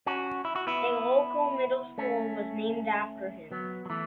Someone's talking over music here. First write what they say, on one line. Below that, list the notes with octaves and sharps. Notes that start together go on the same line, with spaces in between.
A local middle school was named after him.
C#4 F#4
E4
F#4
B3 E4
A3 C#4
F#3 B3
F#3
E3 A3